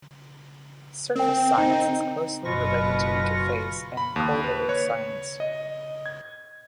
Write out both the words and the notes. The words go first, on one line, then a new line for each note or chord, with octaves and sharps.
Surface science is closely related to interface and colloid science.
C4 A#4 G5
D#4
F#1 B2 F4 B4 C#6 A#6
B5
D#2
B4
C#5
D#5
G#6